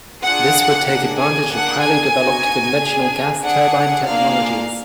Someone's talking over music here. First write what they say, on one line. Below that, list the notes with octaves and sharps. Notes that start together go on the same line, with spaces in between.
This would take advantage of highly developed conventional gas turbine technologies.
D4 F4 G#4 F#5
A#3 D4 G#4 F#5
G#5
A#3 D4 G#4 F#5
G#5
B3 D#4 F#4
D4 G#4
D4 G#4 F#5
A#3 D4 F4 G#4 F5